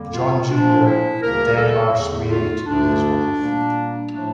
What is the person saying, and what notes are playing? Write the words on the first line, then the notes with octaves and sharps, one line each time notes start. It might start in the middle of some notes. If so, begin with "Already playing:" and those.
John Junior then asks Mary to be his wife.
Already playing: F2 D3 G3 A#3
F4
A#2 F3 A#3 D4
E4
D2 C#3 G3 A#3 A#4
A4
E2 D3 A3
F4
D2 D3 A3 D4
A#2 G3 A#3
A2 F3 A3 D4